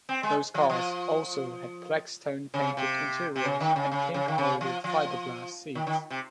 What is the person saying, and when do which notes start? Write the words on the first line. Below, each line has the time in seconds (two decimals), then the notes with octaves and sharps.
Those cars also had Plextone-painted interiors and pink-molded fiberglass seats.
0.09 C4
0.23 G#3
0.55 F3
0.70 F3
2.54 C#3
2.77 C3
3.36 C3
3.45 C#3
3.60 D#3
3.76 C#3
3.92 C#3
4.14 C#3
4.28 D#3
4.38 C#3
4.61 F3
4.84 F3
5.75 D#3
5.87 D#3
6.10 C3